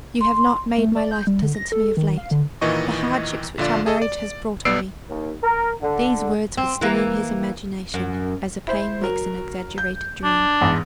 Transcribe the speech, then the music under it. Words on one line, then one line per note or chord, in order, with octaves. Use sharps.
"You have not made my life pleasant to me of late"--"the hardships which our marriage has brought on me"--these words were stinging his imagination as a pain makes an exaggerated dream.
C6
A3
D5
G6
G3
D3
A#6
A4
D#3
F5
D3
A#2 D#3 E3 D#5 C#6
A#1 D3 F4 D5
G#4 A4 D#5
D5
B1 B3 D5 E6 C7 D7
D#2
A#4
D3
C4
E3 A#3
F#2
E4 C5
F#3 A#4
G6
D4
E2 G#2 E3